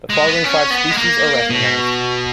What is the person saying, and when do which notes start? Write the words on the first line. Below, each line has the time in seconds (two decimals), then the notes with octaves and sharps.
The following five species are recognized.
0.10 G#3
0.27 B3
0.44 C#4
0.70 B3
0.91 G#3
0.97 A#3
1.50 B2